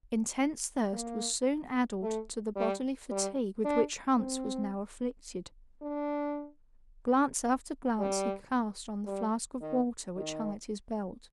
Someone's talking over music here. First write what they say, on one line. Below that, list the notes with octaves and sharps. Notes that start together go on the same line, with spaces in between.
Intense thirst was soon added to the bodily fatigue with which Hans was now afflicted; glance after glance he cast on the flask of water which hung at his belt.
A#3
A3
G3
G3
D4
C4
D4
G3
G3
D#3
D#3